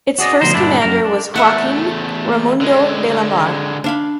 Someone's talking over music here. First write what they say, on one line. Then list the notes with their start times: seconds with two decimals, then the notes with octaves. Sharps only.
Its first commander was Joaquim Raimundo de Lamare.
0.19 F#4 G#4 D5 D#5
0.41 D2 G#2 B2 F3 C5 A#5
0.54 G2 A#2 D3 D4 E4
0.82 F#2 A#4
1.04 D4
1.36 E2 A3 A#4 E5 F#5
2.61 D3 G#3
3.84 D4 F5 B5